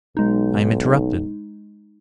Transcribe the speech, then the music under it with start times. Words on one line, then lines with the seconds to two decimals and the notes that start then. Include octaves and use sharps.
I am interrupted.
0.17 B1 G#3 D#4